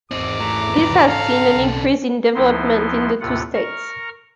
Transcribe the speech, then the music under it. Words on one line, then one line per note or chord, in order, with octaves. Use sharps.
This has seen an increase in development in the two states.
G#1 E2 C4 D#4 D6
E3 A3 A#5
D#3 B4
C#3 A4 F5
B1
D2 F3 B3 D#4 E4 C6
D#2 A2 C3 F4 F#5
A#4 A#5 C#6 F6